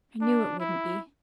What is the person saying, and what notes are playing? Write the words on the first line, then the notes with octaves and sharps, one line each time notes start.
'I knew it wouldn't be.
D4
E4